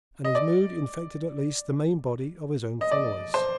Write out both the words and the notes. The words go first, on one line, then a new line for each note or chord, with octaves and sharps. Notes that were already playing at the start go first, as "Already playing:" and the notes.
And his mood infected at least the main body of his own followers.
D#5
D5
D#5
D5
C5